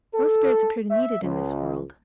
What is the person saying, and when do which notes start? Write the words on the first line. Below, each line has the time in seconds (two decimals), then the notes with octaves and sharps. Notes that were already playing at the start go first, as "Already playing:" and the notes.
Most spirits appear to need it in this world.
0.15 A4
0.91 E5
1.23 C#2